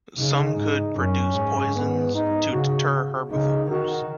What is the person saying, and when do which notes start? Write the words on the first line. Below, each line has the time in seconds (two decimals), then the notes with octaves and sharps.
Some could produce poisons, to deter herbivores.
0.17 C#3 D#4
0.57 G#2
0.96 F#2 C#4
1.35 G#2
1.74 B3
2.13 D#4
2.52 C#3 F#4
3.30 C#3 D#4
3.69 D#3 F#4